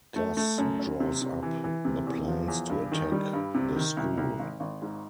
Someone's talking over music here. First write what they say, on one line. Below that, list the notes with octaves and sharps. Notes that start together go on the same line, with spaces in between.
Gus draws up the plans to attack the school.
A3
A3
F#2
F#2
C3
C3
E3
E3
C3
E2
F3
E2
G2
D#3
G3
G2
C3
D#3
C2
C2
G#1
G#1
G#2